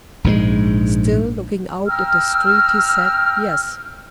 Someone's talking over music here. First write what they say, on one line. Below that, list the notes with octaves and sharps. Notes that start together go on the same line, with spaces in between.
Still looking out at the street, he said "Yes."
A#1 G#2 F3 G#3
G5 A#5 E6 F6